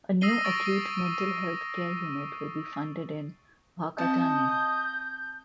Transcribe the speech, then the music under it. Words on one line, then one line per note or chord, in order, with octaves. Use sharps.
A new acute mental health care unit will be funded in Whakatane.
D#6 E6 A#6 C7 D#7 G7
C#6 A6 D7
C4 D#5 F5 A5 G6